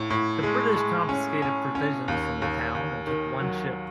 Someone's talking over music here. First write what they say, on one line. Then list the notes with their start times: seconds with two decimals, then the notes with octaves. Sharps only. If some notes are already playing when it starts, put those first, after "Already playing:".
The British confiscated provisions from the town and took one ship.
Already playing: A2
0.10 A2
0.43 G#3
0.76 G#3
1.09 C#4
1.42 C#4
1.75 C#4
2.08 D#2
2.42 D#2
2.75 D#2
3.07 D#3
3.40 F#3